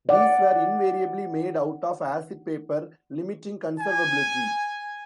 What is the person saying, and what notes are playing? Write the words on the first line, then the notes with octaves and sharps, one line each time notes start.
These were invariably made out of acid paper, limiting conservability.
D5 F#5
G#5